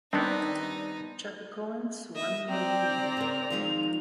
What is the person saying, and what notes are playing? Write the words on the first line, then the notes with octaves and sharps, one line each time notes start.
Chapecoense won the league.
D#3 G3 B3 C4 D4 D#4
D#5 E5
C4 D5 G5 A#5
C#3 A#4 F7
D#3 F3 G#3